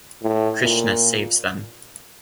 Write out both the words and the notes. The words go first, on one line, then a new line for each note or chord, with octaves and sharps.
Krishna saves them.
A2
A#2